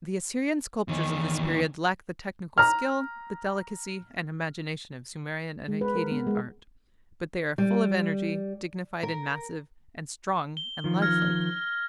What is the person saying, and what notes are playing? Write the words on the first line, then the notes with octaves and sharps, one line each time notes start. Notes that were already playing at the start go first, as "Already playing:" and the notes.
The Assyrian sculptures of this period lack the technical skill, the delicacy and imagination of Sumerian and Akkadian art, but they are full of energy, dignified and massive, and strong and lifelike.
E2 D#3
A#5 F6
G#3
B4
A#4
B3
G#3
G3
A#4
G7
D#3 F3
F6 G#6 A#6